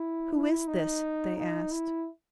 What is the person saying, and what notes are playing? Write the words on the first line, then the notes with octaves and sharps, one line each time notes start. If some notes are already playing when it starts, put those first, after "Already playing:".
"Who is this?" they asked.
Already playing: E4
E4
D#4
D#4
E4